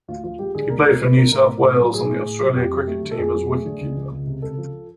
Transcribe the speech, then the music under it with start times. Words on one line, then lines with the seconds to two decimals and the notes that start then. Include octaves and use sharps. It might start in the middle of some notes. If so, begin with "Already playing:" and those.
He played for New South Wales and the Australian cricket team as wicket-keeper.
0.08 D2 F4
0.24 F3 F4
0.39 G#3 G4
0.55 D3 G#4
0.70 D2 A#4
0.86 F3 A#4
1.01 G#3 B4
1.17 D3 A#4
1.32 A2 A#4
1.48 A3
1.63 A2 A4
1.78 F#3
1.94 A2 G#4
2.10 A3
2.25 A2
2.40 F#3
2.56 F2 G4
2.72 F#3
2.87 A3
3.03 D3
3.11 A4
3.18 F2 G#4
3.34 F#3
3.49 A3
3.65 D3
3.81 C#2
3.96 F3
4.11 C#2
4.27 C3
4.42 C#2 A4
4.58 F3